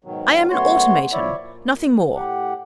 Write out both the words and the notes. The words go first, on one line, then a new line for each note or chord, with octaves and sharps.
'I am an automaton--nothing more.
G#2 B2 D#3 F#3
F#2 A3 B3 F#4 C#5 C6
F3 E4 C#5 D5 E5
A#2
A2 G4 F#5